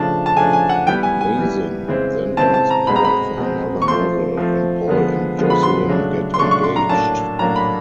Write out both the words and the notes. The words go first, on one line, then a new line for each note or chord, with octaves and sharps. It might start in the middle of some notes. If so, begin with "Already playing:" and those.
Resin then dumps Paul for another model, and Paul and Jocelyn get engaged.
Already playing: C#3 F3 A3 D4 A5
A5
C#3 F3 A3 D4 G#5
G#5
F#5
E3 G3 B3 G5
G#5
G#5
E3 G3 B3
C#3 E3 G#3 C4
C#3 E3 G#3 C4 A5
A5
A#5
B2 G#3 C4 B5
A#5
B5
B2 G#3 C4
C#6
F3 A3 C4 C6
F3 A3 C4
D3 F3 G#3 B3
D3 F3 G#3 B3
B5
C6
C#3 F#3 A3 D4
C6
C#3 F#3 A3 D4 C#6
C#6
C6
A#5
A2 F#3 A#3 D4 A5
A2 F#3 A#3 D4 A#5
B5